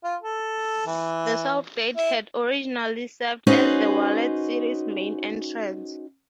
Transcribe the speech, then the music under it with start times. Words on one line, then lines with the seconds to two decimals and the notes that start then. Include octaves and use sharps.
The South Gate had originally served as the Walled City's main entrance.
0.04 F4
0.22 A4
0.86 E3
1.96 E4
3.47 C#4 D#4 F#4 G#4 B4 C5